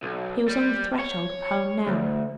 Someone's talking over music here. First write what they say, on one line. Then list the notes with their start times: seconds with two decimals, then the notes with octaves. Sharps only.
He was on the threshold of home now.
0.03 B1
0.48 G3
0.99 C#5
1.87 D2